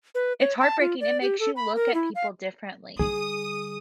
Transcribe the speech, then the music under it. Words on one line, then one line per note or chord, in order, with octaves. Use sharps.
It's heartbreaking, it makes you look at people differently.
B4
C#5
A5
F4
D5
G4
A4
B5
A#4
E4
F5
D3 G3 G#4 D#6